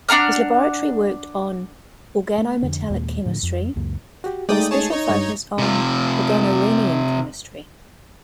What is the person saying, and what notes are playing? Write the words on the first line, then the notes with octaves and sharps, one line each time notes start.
His laboratory worked on organometallic chemistry, with a special focus on organorhenium chemistry.
D4 F#5 A#5 F6
A3
F2 D3
D#2 A#2 G#3 A#3
A2 D3 F3
F2
C#2 F#2 A#3
F#4 G4
G#3 A3 D#4 D5 G5 D#6
G#4 C#5 A5
D#4 C#5
G2
C3 F4